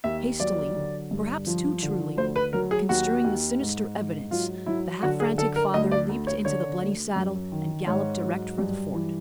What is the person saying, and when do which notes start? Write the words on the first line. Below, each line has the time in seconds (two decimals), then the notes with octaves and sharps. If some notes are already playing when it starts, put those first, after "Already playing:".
Hastily--perhaps too truly--construing the sinister evidence, the half-frantic father leaped into the bloody saddle, and galloped direct for the Fort.
0.04 D#2 E5
0.40 F#3 D5
0.76 D3
1.11 G2
1.47 F3
1.83 D3
2.17 D2 C5
2.36 B4
2.53 F#3 A#4
2.71 G#4
2.89 D#2 F#4
3.24 D#2
3.60 G#2
3.96 G#2
4.31 F#3 F4
4.66 F#3 E4
5.03 D3 F#4
5.20 G#4
5.38 D3 A4
5.56 A#4
5.74 D2 D#5
5.91 D5
6.09 D2
6.27 C#5
6.45 D3 C#5
6.80 D2
7.16 F#2
7.52 D#3
7.87 G#2 C#5
8.23 F#3
8.58 G2
8.94 E3